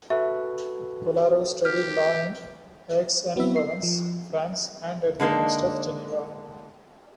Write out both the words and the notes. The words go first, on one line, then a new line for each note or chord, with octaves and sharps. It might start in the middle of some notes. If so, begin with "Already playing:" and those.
Kolarov studied law in Aix-en-Provence, France, and at the University of Geneva.
F#4 A4 B4 E5
G4 F6
F#3 B3 C4 E4 E5
C7
F3
D3 G#3 A#3 D4 D#4